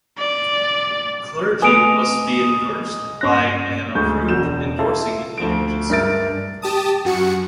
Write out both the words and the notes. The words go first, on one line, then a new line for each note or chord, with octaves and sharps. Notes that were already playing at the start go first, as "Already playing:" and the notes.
Clergy must be endorsed by an approved endorsing agency.
D5
A3 B4 D#5 G#5 D#6 D7 F7
G2 C#4 C6 F#6 A#6
D2 G#3 C#6 G6
E1 F#4 G6 E7
E4 F4 A4 E5 F5 A5
D2 F3 D7
G2 G#3 A#4 E5 A6 D7
G4 A5 D#6
F#2 F#4 C#7